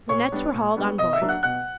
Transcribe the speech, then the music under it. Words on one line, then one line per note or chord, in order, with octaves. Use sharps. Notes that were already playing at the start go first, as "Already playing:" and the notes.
The nets were hauled on board.
A#2 C#5 C#6
G3 B3 D4
A#2
G3 B3 D4
B2 D#5 D#6
E5 E6
F#3 A#3 D4
F#5 F#6
B2 F#5 F#6